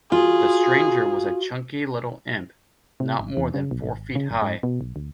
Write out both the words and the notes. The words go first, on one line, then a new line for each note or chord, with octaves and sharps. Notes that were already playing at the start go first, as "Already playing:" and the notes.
The stranger was a chunky little imp, not more than four feet high.
F4 F#4 G#4
C3
G#1
E2
C#3
B1
G#1
C#3
G1
G#2
B2
B1
D2